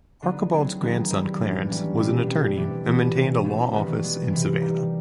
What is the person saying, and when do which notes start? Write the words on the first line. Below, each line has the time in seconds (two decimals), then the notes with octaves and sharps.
Archibald's grandson, Clarance, was an attorney and maintained a law office in Savannah.
0.22 D3 F#3 B3 D#4
0.51 F#3 A3 C4 E4 G#4
0.81 D#3 F#3 B3 D#4 G#4
1.10 D#3 G3 C4 E4
1.39 A2 E3 A3 D4 F4
1.68 G3 A#3 C#4
1.97 B2 G#3 C4 E4 G4
2.27 A#2 G3 C4
2.56 E3 A3 D4 G4
2.85 E3 G3 B3 E4
3.15 B2 G#3 C#4 F#4
3.43 E3 A3 C4 E4
3.72 D#3 G3 B3 D#4 F#4
4.02 E3 G#3 B3
4.32 C3 E3 G#3
4.60 G3 A#3 D#4